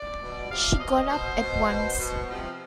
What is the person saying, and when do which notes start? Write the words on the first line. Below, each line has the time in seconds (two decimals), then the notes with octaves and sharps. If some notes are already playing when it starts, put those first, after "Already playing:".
She got up at once.
Already playing: D5
0.21 B2
0.51 C3 F3 F5
0.80 B2 D#5
1.09 B2 C5
1.40 B2
1.69 B2
1.99 B2
2.29 C3 F3